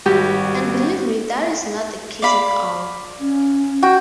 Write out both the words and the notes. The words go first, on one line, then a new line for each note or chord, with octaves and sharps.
And believe me that is not the case at all.
G#1 G3 F#4 G4
D5 F5 B5
C#4
F#4 G5